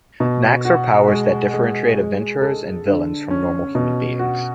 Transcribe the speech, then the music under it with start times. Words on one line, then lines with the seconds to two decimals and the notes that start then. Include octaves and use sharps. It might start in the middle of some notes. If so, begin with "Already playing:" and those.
Knacks are powers that differentiate adventurers and villains from normal human beings.
0.20 B2
0.65 F#4
1.08 G#3
1.53 G#3
1.97 G#3
2.42 A4
2.86 D3
3.30 C#4
3.75 B2
4.19 F#4